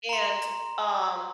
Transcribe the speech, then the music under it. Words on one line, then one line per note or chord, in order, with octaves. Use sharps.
and, um,
A#5 C6